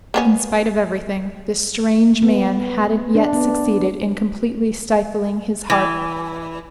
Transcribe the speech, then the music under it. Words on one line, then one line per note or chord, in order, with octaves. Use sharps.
In spite of everything, this strange man hadn't yet succeeded in completely stifling his heart.
A#3 B3 C#4
B3
D4
B3
E3